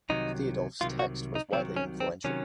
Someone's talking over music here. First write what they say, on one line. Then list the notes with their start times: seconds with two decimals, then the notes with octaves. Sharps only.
Theodulf's text was widely influential.
0.09 C2 C3 D#3 F#3 D#4
0.81 C2 C3 D#3 F#3 F4
0.99 F#4
1.35 D#4
1.52 C2 C3 D#3 F#3 C4
1.76 C#4
2.00 C4
2.24 C3 D#3 F#3 C#4